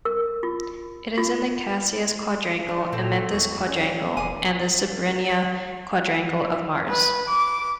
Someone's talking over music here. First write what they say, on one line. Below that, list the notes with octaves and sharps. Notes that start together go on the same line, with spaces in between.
It is in the Casius quadrangle, Amenthes quadrangle, and the Cebrenia quadrangle of Mars.
A#4
F4
F4
A3 D4
A#2 A3 C4 G4
E2 F#4
G3 C#4 G5
E1 E2 G#5 D6 D#6
B4
D6